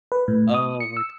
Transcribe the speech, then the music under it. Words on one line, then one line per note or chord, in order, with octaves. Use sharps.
Oh we're g
B4
A2
D#6
C#7
E6